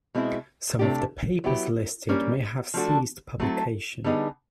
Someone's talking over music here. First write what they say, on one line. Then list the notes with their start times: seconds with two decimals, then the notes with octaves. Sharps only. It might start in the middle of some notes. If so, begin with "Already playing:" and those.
Some of the papers listed may have ceased publication.
0.15 B2 G#3 C4 E4
0.79 C3 E3 A3 D4 G4
1.44 F#3 B3 E4 G4
2.09 G3 A#3 C#4
2.74 F3 A3 D4 F#4 A4
3.40 F#3 A3 C4 E4 A4
4.04 D3 G3 B3 D#4 G#4